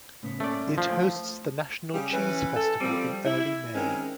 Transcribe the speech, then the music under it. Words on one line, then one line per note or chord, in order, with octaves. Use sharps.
It hosts the national cheese festival in early May.
A2 C#3 B3
A3 A#3 C#4 D5
D3 F3
F3 F4
A3
C#3 G3 G4
E3 C#4 B4
A4
F3 G3 C4
E4
D#3 G#3 C4 C#4